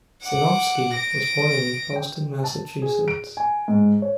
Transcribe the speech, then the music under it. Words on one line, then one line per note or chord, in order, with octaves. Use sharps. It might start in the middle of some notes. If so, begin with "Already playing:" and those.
Sinofsky was born in Boston, Massachusetts.
F#5 D6
A#6 D7
G5
A5
G#4
D7
G#5
G#2
C#5